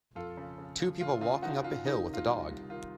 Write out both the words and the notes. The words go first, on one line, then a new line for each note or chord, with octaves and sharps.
Two people walking up a hill with a dog.
F2 F4 A4
C#3
C#3
F3
F3 F4
C#3 F4
C#3 D#4 F#4
C#3 F4
D#3 D#4
C3
F4
C2
C2
D#3 F4